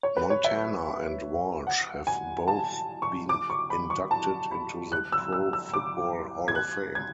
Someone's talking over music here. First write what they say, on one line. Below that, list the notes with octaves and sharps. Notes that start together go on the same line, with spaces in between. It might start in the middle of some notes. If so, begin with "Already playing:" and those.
Montana and Walsh have both been inducted into the Pro Football Hall of Fame.
C#5
B4
C#5
E5
F#5
G#5
A5
C#6
D6
C#6
B5
C#6
A5
B5
F#6
E6
E6
E6
D6
G#6
F#6
G#6